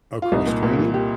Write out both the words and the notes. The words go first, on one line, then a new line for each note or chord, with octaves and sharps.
Oh, cross-training?
F4
C2 D#4
A#2
A#2
C2
G4